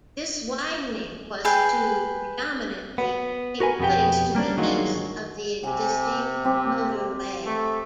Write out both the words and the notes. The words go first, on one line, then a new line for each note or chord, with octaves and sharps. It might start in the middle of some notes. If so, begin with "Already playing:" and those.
This widening was to predominantly take place to the east of the existing motorway.
G#4 B4 G5
B3
F#4 A#4 B4 G#5
F2 B2 B3 G4 G5
G3 A#3 C#4 D4
G2 D#3 F#3 G#3 F4 F#4
C3 G#5
C4 G4
A3